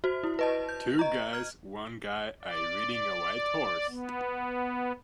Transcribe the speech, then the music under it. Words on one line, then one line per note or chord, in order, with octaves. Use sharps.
Two guys one guy i ridding a white horse.
F#4 C5
E4
B4 D#5 A5
G6
D#5 A#5
F6 G#6
D5
B3